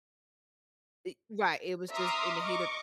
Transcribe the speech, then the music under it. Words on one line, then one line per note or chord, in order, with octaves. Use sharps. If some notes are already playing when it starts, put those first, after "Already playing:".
eh right, it was just in the heat of
E5 A#5 C6 D6 D#6 F6
D#5 C#6 D6